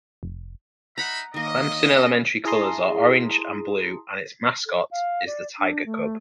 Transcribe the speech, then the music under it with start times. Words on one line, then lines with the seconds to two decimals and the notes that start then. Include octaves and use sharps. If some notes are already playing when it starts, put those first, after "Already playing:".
Clemson Elementary colors are orange and blue, and its mascot is the tiger cub.
0.23 F1
0.98 D#4 E5 F#5 A#5 B5
1.34 D#3 A#3 D#5
1.85 C#4 B5
2.45 E4 G#4 A5 A#5 C6 D#6
4.66 A4
4.91 F5
5.27 D5
5.59 D4
5.86 A3